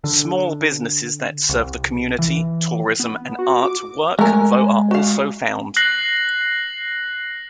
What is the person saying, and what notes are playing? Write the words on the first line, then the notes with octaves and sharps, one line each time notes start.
Small businesses that serve the community, tourism, and art work though are also found.
D3
C2
E3
B3
F#4
D6
G#3 A3 A#4 G#5
F#4 F5
F#6 A#6 C7 F#7